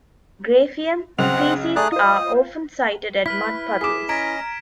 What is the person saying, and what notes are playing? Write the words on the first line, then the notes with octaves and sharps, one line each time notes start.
"Graphium" species are often sighted at mud puddles.
B1 C#3 C4 F#5 F7
A3 G#4 D5 A#5 F#6
F4 C5 D#5
E4 B4 F6 B6
G#4 D6 B6 E7
C#4 D#5 A#5 G#6 B6 D7